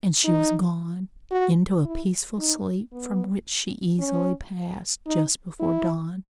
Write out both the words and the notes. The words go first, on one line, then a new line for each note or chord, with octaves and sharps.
And she was gone--into a peaceful sleep from which she easily passed just before dawn.
D#4
F#4
E4
D#4
B3
C#4
D#4
E4